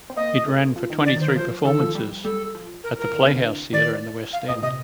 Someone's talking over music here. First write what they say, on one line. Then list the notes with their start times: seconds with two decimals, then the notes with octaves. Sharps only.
It ran for twenty three performances at the Playhouse Theatre in the West End.
0.10 C4
0.16 A#3 D#5
0.46 A3
0.76 F3
0.90 D#3
1.03 D3 D5
1.16 D#3 C5
1.28 A#4
1.36 F3 C5
1.65 D#3 A4
1.80 F3
1.95 G3
2.24 G3 A4
2.55 F3
2.84 A#4
2.99 A#4
3.14 D3
3.24 C3
3.36 D3
3.73 D#3 D5
4.33 F5
4.47 A#2 D#5
4.62 C3 D#5